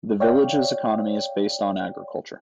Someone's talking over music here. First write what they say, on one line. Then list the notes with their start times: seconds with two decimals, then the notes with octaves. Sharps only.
The village's economy is based on agriculture.
0.20 C#5 D5 F5 G5